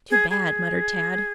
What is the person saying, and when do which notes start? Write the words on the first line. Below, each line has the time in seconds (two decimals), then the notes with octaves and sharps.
"Too bad," muttered Tad.
0.10 G#4
0.30 G#4